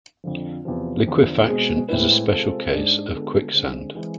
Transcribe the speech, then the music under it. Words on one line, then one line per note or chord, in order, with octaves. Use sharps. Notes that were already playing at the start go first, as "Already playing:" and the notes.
Liquefaction is a special case of quicksand.
F2 D3 F3
E2 C3 F3
E2 D3 F3
B2 G#3 C4 G#4
A2 G#3 C4 E4 B4
C3 G#3 C4 F4 A4
G#2 G#3 D4 G#4 C5
D3 G#3 B3 F4 A4
D3 G#3 C4
E3 G#3 C4